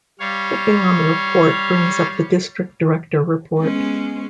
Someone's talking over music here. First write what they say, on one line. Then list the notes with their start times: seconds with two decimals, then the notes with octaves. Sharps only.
Clicking on the Report brings up the District Director report.
0.19 G3 C#5 F5
3.58 G#3 B3 C#4